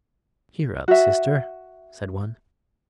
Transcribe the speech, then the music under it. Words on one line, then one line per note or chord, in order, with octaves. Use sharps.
"Cheer up, sister," said one.
F#4 E5